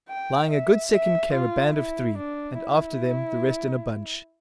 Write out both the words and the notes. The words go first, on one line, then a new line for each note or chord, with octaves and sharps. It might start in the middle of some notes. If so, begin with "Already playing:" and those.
Lying a good second came a band of three, and after them the rest in a bunch.
G5
E5
E5
F4
E4
D4
E4